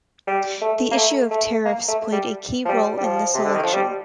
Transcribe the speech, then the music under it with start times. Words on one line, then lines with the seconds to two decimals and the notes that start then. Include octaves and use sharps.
The issue of tariffs played a key role in this election.
0.27 G3
0.62 A3
0.91 A#3
0.96 A3
1.31 A3
1.65 A#3
1.88 A3
2.12 G3
2.65 F3
2.69 G3
2.98 G3
3.04 F3
3.35 C3
3.45 D3
3.54 D#3
3.64 F3
3.74 G3